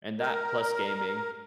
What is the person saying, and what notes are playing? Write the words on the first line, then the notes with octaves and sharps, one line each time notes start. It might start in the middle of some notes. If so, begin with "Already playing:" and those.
and that plus gaming.
A#4